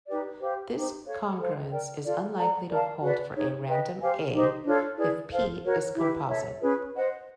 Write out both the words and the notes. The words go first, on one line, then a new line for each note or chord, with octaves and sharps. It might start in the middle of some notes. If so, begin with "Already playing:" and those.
This congruence is unlikely to hold for a random "a" if "p" is composite.
D#4 G4 B4 D5
G4 C5 F5
D#4 G4 C5
A4 C#5 F5
A4 C5 F5
A#4 D5 G5
F4 A4 D5 F5
A4 D5 F#5 A#5
A#4 D5 F5 A5
F#4 B4 D5
D#4 G#4 C#5
B4 D#5 G5
G4 C5 F5 G#5
D#4 G4 C5 D#5
D4 F4 A4 C#5
E4 G#4 B4 D5
A4 C5 F5
F#4 A#4 C#5
E4 G4 B4
A4 C#5 E5
C#4 F4 G#4 B4
C5 D#5 F#5